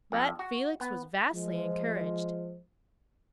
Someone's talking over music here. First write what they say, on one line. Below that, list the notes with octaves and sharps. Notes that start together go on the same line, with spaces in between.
But Felix was vastly encouraged.
F2
F#4
B3
F3 G#3